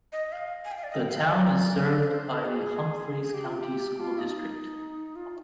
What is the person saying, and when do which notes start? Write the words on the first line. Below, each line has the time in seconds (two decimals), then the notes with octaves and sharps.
The town is served by the Humphreys County School District.
0.12 D#5
0.32 F5
0.65 G#5
0.72 G5
0.77 F5
0.83 D5
0.91 D#5
1.00 G5
1.09 F5
1.19 D#5
1.28 D5
2.07 C5
2.38 A#4
2.45 G#4
3.22 G#4
3.34 G4
3.45 F4
3.57 G4
4.00 F4
4.19 D#4
5.16 F4